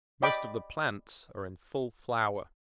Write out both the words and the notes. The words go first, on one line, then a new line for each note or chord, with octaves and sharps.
Most of the plants are in full flower.
D5 D#5 G5 B5 D6